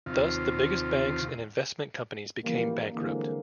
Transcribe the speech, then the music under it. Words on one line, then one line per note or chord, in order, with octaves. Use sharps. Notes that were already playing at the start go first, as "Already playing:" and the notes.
Thus the biggest banks and investment companies became bankrupt.
D#2 C3 F4
C#3 E3 F3 G3 A3 A#3
C2 D3 E3 F#3 G#3 A#3